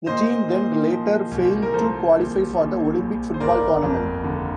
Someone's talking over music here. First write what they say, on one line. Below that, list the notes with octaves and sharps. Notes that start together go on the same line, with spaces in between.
The team then later failed to qualify for the Olympic football tournament.
A#2 C5 D#5
A#2
F3
C2
A#4
F3 A4 C5
A#1
A#1
A#1
C5
G1 A#4 D5
F2
D3